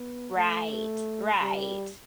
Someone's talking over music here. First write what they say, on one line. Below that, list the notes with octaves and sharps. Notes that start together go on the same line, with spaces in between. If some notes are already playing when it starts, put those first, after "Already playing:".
Right, right.
Already playing: B3
A3
G3